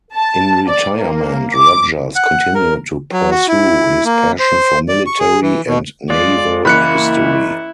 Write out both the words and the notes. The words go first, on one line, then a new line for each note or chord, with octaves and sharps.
In retirement, Rodgers continued to pursue his passion for military and naval history.
A5
D5
A#3
D6
F#5
A#4
F#3
F#4
E4
A#3
C5
D5
C#6
G#4
E3
B2
G#3 F4 D5
F#1 E3 A#3 E4 B5 F#6 C#7